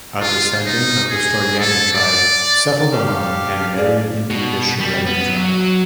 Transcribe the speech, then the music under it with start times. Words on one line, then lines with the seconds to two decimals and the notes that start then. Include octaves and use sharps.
A descendant of Storyani tribe settled among and married into the Sherani tribe.
0.20 F4
0.66 D#4
1.11 G#4
1.60 A4
1.93 D5
2.93 G4 A4 F5
3.77 G#4 D5 F5
4.30 B2
4.80 G3
5.06 B3
5.29 F#3